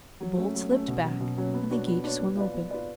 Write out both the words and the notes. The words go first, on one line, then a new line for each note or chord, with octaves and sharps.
The bolt slipped back and the gate swung open.
F#3
A3 C#4
F#3
A3 C#4
B2
F#3 C#4
B2
F#3 C#4
B3
D4 F#4 C#5
B3
D4 F#4 C#5
B3
F4 B4 D5
B3
F4 B4 D5